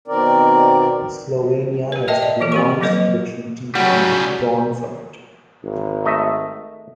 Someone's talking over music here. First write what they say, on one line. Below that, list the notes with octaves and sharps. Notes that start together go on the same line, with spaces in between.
Slovenia has denounced the treaty and withdrawn from it.
B2 D#3 C4 A#4 D5
G4 B4
A#4 D#5 E5 G5 A5
D5
E3 F3 F4 A4
C4 G4 C#6
F3 F#3 A#3 A4 B4 D#5
C#3 F#3 G3 F#4
G#1
A3 D#5 E5